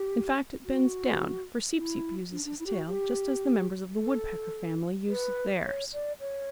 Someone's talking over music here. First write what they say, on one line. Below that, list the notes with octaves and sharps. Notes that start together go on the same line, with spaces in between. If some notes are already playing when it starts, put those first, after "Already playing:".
In fact, it bends down, for Seep-Seep uses his tail just as the members of the Woodpecker family use theirs.
Already playing: G4
F#4
E4
D4
D4
E4
G4
F#4
G4
A4
B4
C#5
D5
C#5